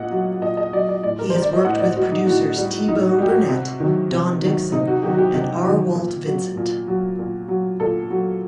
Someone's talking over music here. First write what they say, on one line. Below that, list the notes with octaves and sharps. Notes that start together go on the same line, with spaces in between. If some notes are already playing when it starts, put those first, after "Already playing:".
He has worked with producers T-Bone Burnett, Don Dixon, and R. Walt Vincent.
Already playing: A#2 D#5 F#5
F#3
A#2 D#5
D#5
F#3 D5
D5
A2 D5
A#4
G3 C5
D5
D#5
A2 F#5
D5
G3 F#4
D#4
A2 F#4
G3
A2 D#4
F#4
G3 G4
F#4
C3
D#3 F#3
C3
D#3 F#3
C3 D#4
F#4
D#3 F#3 G4
F#4
G4
C3
D#3 F#3
A#2
F#3
A#2
F#3
A#2
F#3
A#2 A4
F#3